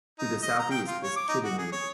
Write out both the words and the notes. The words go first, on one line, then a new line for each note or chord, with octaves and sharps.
To the southeast is Kidinnu.
D#4
D#5
A#5
G5
F4
C#5
D6
D#4
F#4
G#4
C#5